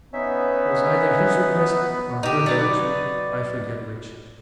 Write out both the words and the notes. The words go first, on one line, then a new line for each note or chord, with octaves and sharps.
'It was either his request or her direction, I forget which.'
B3 C#4 D#4 E5
D#4 G4
F#3 D#4 B4 D5